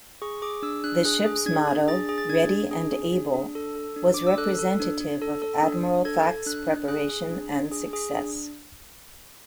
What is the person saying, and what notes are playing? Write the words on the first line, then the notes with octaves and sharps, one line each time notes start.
The ship's motto, "Ready and Able," was representative of Admiral Thach's preparation and success.
G#4 C#6
G#4 D6
D4 E6
D4 F#6
G#4 F#6
G#4
D4 G#6
D4
G#4 A6
G#4
A6
D4 G#6
D4
G#4
G#4
D4
D4
A4
A4
D4
D4 D6
E6
A4 F#6
A4
D4
D4
A4
A4
D4
D4
A4 G#6
A4
D4 F#6
D4
G#4 F#6
G#4
D4
D4
G#4
G#4
D4